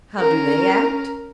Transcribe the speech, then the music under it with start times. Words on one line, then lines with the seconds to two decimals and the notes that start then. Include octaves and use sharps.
How do they act?
0.19 C#4 A#4